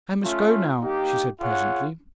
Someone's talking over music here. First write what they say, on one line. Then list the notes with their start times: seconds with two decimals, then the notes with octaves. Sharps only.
'I must go now,' she said presently.
0.22 A3 C#4 F4
0.81 A#3 D#4 G4
1.39 F4 G#4 C#5 F#5